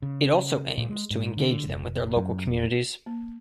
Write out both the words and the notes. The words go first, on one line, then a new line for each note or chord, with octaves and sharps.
It also aims to engage them with their local communities.
C#3
A#2
G#3
G#2
D3
F1
F#2
E1
A#3